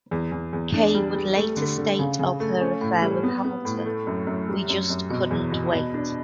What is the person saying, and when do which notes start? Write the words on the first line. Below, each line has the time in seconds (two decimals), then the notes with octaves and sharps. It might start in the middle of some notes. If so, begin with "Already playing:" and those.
Kaye would later state of her affair with Hamilton: We just couldn't wait.
0.11 E2
0.32 E2
0.53 E2
0.74 D4
0.94 G3
1.15 G3
1.36 A3
1.56 D3
1.78 D3
1.99 C#3
2.19 C#3
2.40 A3
2.60 C#4
2.81 A2
3.02 G3
3.23 B3
3.45 B3
3.65 A2
3.86 A3
4.07 F#2
4.27 F#2
4.48 G3
4.69 F#2
4.90 F#2
5.10 B2
5.31 E2
5.52 B2
5.73 B2
5.94 D4